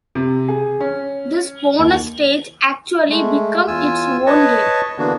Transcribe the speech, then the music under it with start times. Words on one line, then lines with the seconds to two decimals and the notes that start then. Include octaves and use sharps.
This bonus stage actually became its own game.
0.15 C3
0.48 G#4
0.80 C#4
1.79 D#2
3.09 G#3 A3
3.68 E2 F4 G#5 E6
4.27 B4 C#5 D#5 A5 C#6
4.98 D3 E3 A#3 B3 D4 F#4